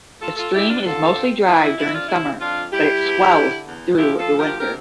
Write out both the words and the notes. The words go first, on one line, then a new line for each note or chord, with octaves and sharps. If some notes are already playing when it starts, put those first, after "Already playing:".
The stream is mostly dry during summer but it swells through the winter.
A3 F4 A4
F4 A4
D2 E4 G4
D4 F4
D3 F4 A4
C4
E3 E4
E4
F2 E4
D4 F4
C3 E4
F2 D4 F4
G3 E4 G4
E2
D3
E2
F3 E4 G4
F4 A4
D2
G4 A#4
C3 G4 A#4